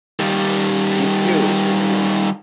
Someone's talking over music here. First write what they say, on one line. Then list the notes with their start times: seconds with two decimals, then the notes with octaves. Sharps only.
He is furious with the woman.
0.20 D#3 G3